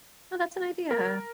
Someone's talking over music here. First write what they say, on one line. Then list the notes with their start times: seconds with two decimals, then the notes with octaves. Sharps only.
Oh, that's an idea.
0.91 A#4